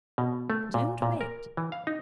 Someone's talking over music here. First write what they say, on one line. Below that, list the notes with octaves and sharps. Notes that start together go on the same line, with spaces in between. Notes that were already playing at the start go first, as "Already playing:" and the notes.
Don't wait.
B2
A3
A#2
A#2
A#4
E3
F5
D#4